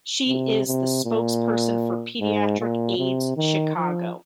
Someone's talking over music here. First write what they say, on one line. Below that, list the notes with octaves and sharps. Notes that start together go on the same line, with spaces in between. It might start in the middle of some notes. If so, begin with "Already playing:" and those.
She is the spokesperson for Pediatric Aids Chicago.
C3
C3
A#2
G#2
A#2
C3
D#3
F3